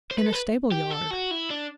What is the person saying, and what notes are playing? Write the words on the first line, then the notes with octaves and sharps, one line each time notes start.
"In a stable-yard."
C5
B4
A4
B4
G4
A4
F#4
E4
D4